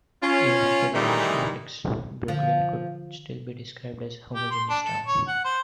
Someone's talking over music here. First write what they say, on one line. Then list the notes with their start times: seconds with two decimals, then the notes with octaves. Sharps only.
Even after the Irish influx, Brookline could still be described as a homogeneous town.
0.22 C#4 F4
0.94 G#2 D#3 E3 G3 A3 D#4
2.28 D3 F3
4.35 G4
4.51 C6
4.70 D4
4.84 A4
5.07 C#5
5.28 F#5
5.44 C5